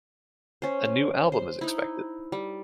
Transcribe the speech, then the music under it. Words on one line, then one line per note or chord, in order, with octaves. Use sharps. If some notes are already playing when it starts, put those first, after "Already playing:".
A new album is expected.
C#4 C5
C5
D#4 E4
G3